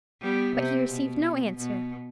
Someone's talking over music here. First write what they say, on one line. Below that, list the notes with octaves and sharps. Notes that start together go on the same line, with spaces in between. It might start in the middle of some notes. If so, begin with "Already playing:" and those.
But he received no answer.
G3 B3
C3
B2
B2